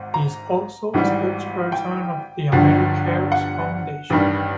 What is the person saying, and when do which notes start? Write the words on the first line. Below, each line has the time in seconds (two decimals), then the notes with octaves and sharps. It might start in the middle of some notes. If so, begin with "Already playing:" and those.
He is also a spokesperson of the AmeriCares Foundation.
Already playing: G#1 G#2
0.14 A#5
0.94 G#1 G#2 E3 G3
1.72 G5
2.52 G1 G2 D3 F3
3.32 F#5
4.10 A1 G2 D#3 G3